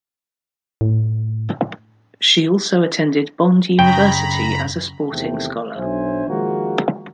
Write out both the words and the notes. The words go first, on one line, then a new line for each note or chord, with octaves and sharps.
She also attended Bond University as a sporting scholar.
A2
F#2 C#3 G5 A#5 B5
E2 C3 D#3 A3 E4 G5
B1 F#3 D4 C5 E5 G#5
D#3 F3 G#3 A#3 F#4